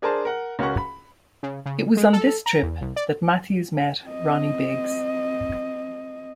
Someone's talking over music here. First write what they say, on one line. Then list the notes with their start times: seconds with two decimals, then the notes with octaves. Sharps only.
It was on this trip that Matthews met Ronnie Biggs.
0.02 D4 G#4 A#4 C5 A5
0.25 A#4 F#5
0.59 C#2 C#4 F#4 A#4 F#5 C#6
0.78 B5
1.43 C#3
1.66 C#3
1.97 G#3
2.13 A4
2.46 A#5
2.63 E2
2.81 C2
2.96 D5
4.06 C4 D#5